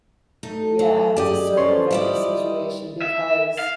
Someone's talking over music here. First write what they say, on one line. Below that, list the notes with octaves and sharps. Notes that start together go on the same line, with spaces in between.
yeah, to circumvent the situation because
A3 D#4
F#3
F#2 F#3 G4 G#4 D5 D#5
D3 F3 G#3 C#4 A4 B4 C#5 C6
G3 E4 D5 D#5
E5
F5